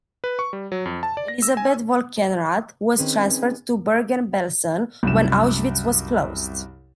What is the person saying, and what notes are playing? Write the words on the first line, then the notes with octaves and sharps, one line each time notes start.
Elisabeth Volkenrath was transferred to Bergen-Belsen when Auschwitz was closed.
B4
C#6
G3
F#3
F2
A5
D5
A#6
E6
G#5
D#3 C4 C#4 G#4 B4
C2 F#2 E7